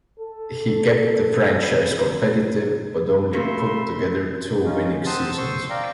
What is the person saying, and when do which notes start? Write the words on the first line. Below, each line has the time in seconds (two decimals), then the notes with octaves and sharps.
He kept the franchise competitive, but only put together two winning seasons.
0.19 A4
1.53 B3
1.82 A#1
3.33 A3 A#3 E5 B5 C6
4.65 C#4 D#4 F4
5.06 C4 C5 F#5 A5 C6 D#6
5.37 C5 C6 C#6 E6
5.70 D5 F5 G5 A#5